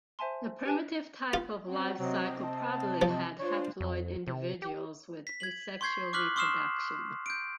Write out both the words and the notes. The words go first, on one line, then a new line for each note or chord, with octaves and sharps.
The primitive type of life cycle probably had haploid individuals with asexual reproduction.
C5 E5 G#5 A5 C6
G4 B4 G#5 A5
F4
C4 C#4 F#4
C3 F#3 C4 D#5
A5
F3
D4 F4 C5 C#5
F2
C3
G4
B6
G#6 F#7
C6 C#6 G6 G#6 C7
C#6 D6 F6 F#6 B6 F#7
C6 C#6 D#6 F6 C7 E7
G6 D7